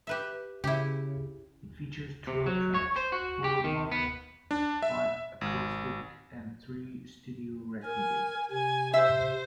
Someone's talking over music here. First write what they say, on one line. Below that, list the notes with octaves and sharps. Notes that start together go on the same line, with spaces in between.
It features twelve tracks: four live, five acoustic, and three studio recordings.
G4 B4 E5
C#3 E4 G4
C3
F#3
C#5
C5
F#4
G4
D#3
B3
D4
E5
G#1
A#4 G#5
C3 G#5
C5 E5